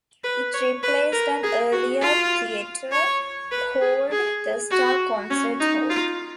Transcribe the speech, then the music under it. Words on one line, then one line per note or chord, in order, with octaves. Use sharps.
It replaced an earlier theatre called the Star Concert Hall.
B4
C#5
B4
A#4
G#4
F#4
F4
C#5
B4
G#4
G#4
F#4
C#4
D#4
F4